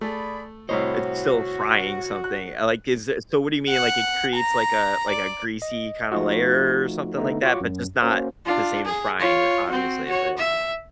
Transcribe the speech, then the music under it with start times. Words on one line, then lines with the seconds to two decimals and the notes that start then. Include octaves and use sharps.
It's still frying something. Uh, like, is it so what do you mean? Like, it creates like a like a greasy kinda layer or something like that, but just not the same as frying, obviously, but
0.01 A3 G#4 D5 B5
0.69 C2 A2 F#4 C5 C#5 D#5
2.24 F#6
3.69 F#5
4.36 A#5
5.10 D5
5.62 D#5
6.12 F3 A3 D#4 F4 F#4
7.17 D3 A3 B3 D#4
7.43 F4 F#4 C#5 F#5 C#6 D6
7.61 F#2
8.02 A#3 C#4 F#4 C5
8.45 D4 F4
8.85 G#4
9.19 F4 C#5
9.68 C4 F#4
10.05 F#4 C#5
10.38 E5